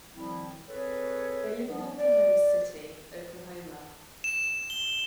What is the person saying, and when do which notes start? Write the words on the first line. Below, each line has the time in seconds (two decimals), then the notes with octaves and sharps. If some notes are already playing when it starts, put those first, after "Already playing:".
They live in Oklahoma City, Oklahoma.
0.14 D#3 F3 G3 C4 E4
0.67 C4 G#4 A4 B4 C#5
1.64 F3 G3 B3
1.98 D5
4.24 E7
4.70 G7